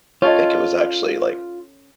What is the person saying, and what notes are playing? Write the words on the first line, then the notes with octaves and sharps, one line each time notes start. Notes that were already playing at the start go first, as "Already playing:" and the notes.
I think it was actually, like
C#4 F4 A4 C#5 D#5